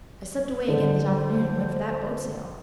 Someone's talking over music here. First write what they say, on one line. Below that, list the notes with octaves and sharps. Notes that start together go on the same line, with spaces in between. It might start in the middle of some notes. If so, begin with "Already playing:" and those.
I slipped away again this afternoon and went for that boat sail.
D3 C5